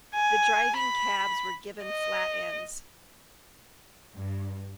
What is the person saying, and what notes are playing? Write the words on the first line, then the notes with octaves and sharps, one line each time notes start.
The driving cabs were given flat ends.
G#5
B5
D#5
G2